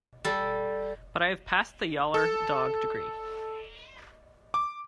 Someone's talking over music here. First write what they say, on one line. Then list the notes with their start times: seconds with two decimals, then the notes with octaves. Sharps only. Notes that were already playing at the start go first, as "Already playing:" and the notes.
But I have passed the yaller dog degree.
0.25 G3 A4
2.14 A4
4.54 D6